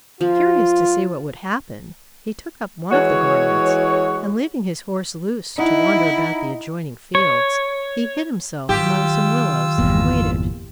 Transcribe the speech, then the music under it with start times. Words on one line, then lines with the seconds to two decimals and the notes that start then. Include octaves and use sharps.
Curious to see what would happen, he took up one of the garments, and leaving his horse loose, to wander about the adjoining fields, he hid himself among some willows and waited.
0.21 F3 F4
2.92 E3 G#3 F#4 C#5
5.58 D#4 E4 F#5
7.15 C#5
8.69 D#3 F#3 F4 G4 E6
9.78 G1 E2 A#2